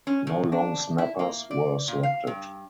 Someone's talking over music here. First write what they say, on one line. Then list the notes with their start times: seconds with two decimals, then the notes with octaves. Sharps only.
No long snappers were selected.
0.07 C#4
0.27 A2
0.52 D4
0.98 E4
1.19 A#3
1.51 D5
1.88 A#2
2.03 F5
2.27 G2